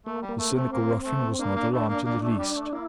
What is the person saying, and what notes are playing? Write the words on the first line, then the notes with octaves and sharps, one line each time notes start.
The cynical ruffian was not alarmed in the least.
A3 A#3
G3
A#3
A3
C4
A3
A#3
A3
A#3 D4
A#3
A3
A#3
A#3
A3
G3
A3
A#3 E4